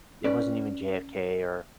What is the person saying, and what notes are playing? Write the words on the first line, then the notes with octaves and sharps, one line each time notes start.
it wasn't even JFK or
C#4 B4 D5